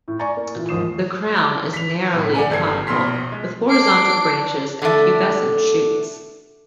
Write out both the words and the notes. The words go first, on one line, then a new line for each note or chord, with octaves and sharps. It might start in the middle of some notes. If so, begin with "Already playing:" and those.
The crown is narrowly conical with horizontal branches and pubescent shoots.
A2
D5 G#5 A#5 C#6 A6
A#3
A#2 E3
D#2 G#2 F3 D#6 C7 E7
B6 F7
B1 A2
D5 F#5 G#5 A#5
G1 G3 A4 G#6 C7
A#1 B2 C6 F6 B6
G#3
D4 D6 C7 D7
D3 A3